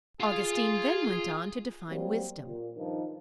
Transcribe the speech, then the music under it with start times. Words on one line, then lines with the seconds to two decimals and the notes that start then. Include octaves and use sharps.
Augustine then went on to define wisdom.
0.20 F4 G#4 F5
1.89 F#3 G3 A#3 C4
2.46 A#2
2.76 G2 D#3 F3 D#4